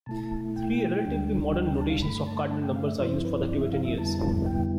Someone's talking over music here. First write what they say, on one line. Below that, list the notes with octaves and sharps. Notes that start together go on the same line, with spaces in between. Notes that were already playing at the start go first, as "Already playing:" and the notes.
Three relatively modern notations of cardinal numbers are used for Tibetan years.
B2 A3 E4 A5
G5
D2 D3 G3 D4
G5
G5
A5
F5
G2 D3 A3 B5
A5
A5
G5
F5
E5
G2 F3 C4 E4 C5
B4
D5
E5
F5
E5
F2 D3 G3 B3 E4 A5
G5